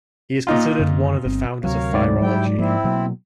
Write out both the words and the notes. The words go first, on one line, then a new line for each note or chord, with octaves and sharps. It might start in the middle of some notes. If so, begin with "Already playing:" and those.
He is considered one of the founders of virology.
A#2 D#4 F4
F#2 D3
G1 C4
D2 C3 F#3 A#4 C#5 F5
G#2 D5
F#3 G3 E4 G5
F3 A#3 C4 E4
B2 F#3 A#3